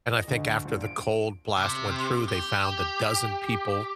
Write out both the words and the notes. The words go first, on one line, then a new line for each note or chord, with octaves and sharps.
And I think after the cold blast went through; They found a dozen people
D#5
D2
A#1
D7
C3
G4